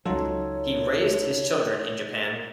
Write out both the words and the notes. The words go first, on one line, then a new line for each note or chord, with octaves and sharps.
He raised his children in Japan.
C#2 F#3 D#4 F4 A4 C#5